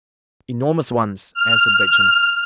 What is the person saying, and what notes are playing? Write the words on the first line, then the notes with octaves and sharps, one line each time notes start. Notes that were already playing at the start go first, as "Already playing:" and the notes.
"Enormous ones," answered Beauchamp.
F6